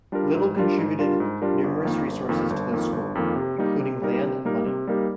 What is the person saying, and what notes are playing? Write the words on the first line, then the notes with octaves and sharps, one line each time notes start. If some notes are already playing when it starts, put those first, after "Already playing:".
Little contributed numerous resources to the school, including land and money.
G3 D4 F4 A#4
G#2
G3 D4 F4 A#4
G#2
G3 D4 F4 A#4
G#2
G3 D4 F4 A#4
G1
F2 D#3 A#3
G1
F2 D#3 A#3
G1
F2 D#3 A#3
G1
F2 D#3 A#3
C3
G3 A#3 D#4 A#4
C3
G3 A#3 D#4 A#4
C3
G3 A#3 D#4 A#4
C3
G3 A#3 D#4 A#4